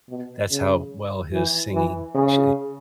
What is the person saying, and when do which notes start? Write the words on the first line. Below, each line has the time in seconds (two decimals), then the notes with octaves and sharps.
that's how well his singing, sh
0.09 B2
0.51 C#3
1.32 E3
1.74 E3
2.15 C#3